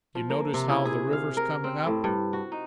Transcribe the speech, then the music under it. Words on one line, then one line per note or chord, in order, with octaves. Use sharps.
Yuh notice how the river's coming up?
F3
A#3
C3
E4
G#4
F5
A#4
C4
A2
G2
F#4
D#4